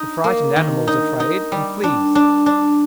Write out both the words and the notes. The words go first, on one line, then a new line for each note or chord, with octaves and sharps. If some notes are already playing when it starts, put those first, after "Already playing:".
The frightened animal is afraid and flees.
Already playing: D#4
A#3
D#3
D#4
D#4
G3
D4
D4
D4